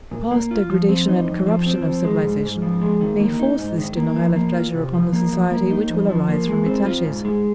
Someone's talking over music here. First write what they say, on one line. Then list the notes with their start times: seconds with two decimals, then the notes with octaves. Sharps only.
The past degradation and corruption of civilization may force this denial of pleasure upon the society which will arise from its ashes.
0.11 A#2
0.31 A#3
0.51 F4
0.70 F3
0.89 C4
1.08 D#4
1.27 F2
1.47 F3
1.66 C4
1.85 F3
2.04 G#3
2.23 G#2
2.43 G#2
2.62 F3
2.82 G#3
3.01 D#3
3.20 A#3
3.39 D#4
3.59 G#2
3.78 D#3
3.97 A#3
4.16 F3
4.36 A#3
4.55 F4
4.74 C3
4.94 F3
5.13 A#3
5.32 F3
5.51 A#3
5.70 D#4
5.89 F2
6.09 F3
6.29 A#3
6.48 G#3
6.66 C4
6.86 F4
7.05 G#2
7.25 G#3